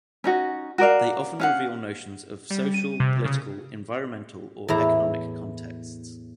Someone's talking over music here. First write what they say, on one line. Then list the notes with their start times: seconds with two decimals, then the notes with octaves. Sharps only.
They often reveal notions of social, political, environmental or economic contexts.
0.24 C#4 D#4 F#4
0.78 F#4 A#4 D5 F5
1.40 C#4 F5 F#5
2.50 G3
2.74 D#7
3.00 C3
3.25 C#3
4.68 E2 A2 E4 A#5